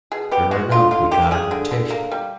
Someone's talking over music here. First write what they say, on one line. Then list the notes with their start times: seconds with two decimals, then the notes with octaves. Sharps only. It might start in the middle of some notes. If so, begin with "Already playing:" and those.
Sure enough, we got a mutation.
0.12 B2 G#4
0.31 B3 G4
0.51 G#3 F#4
0.71 D3 F4
0.91 D3 F4
1.11 A#3 G4
1.31 G3 G#4
1.51 D3
1.71 D3
1.91 A#3
2.11 G3